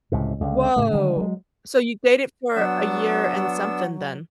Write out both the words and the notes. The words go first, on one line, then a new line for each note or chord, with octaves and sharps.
Whoa. So you dated for a year and something then?
C#2 A2 C3
C#2 D3
A2 C#3 A3
D3 D#3 G3 G#3
F#3 G#3
F#3 B3 D4 F#5 E6